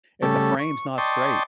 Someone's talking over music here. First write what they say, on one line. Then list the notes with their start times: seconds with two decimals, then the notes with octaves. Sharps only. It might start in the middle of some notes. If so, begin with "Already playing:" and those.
if the frame's not straight,
0.22 C#3 G3 A3 A4
0.59 C#6
0.98 D5 D#5 G5 A5 C6 C#6